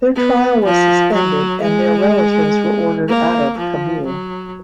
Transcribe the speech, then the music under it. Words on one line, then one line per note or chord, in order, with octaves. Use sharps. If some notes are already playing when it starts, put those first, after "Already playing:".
Their trial was suspended, and their relatives were ordered out of Kabul.
B3
F3
F#3
G#3
A#3
F3
F#3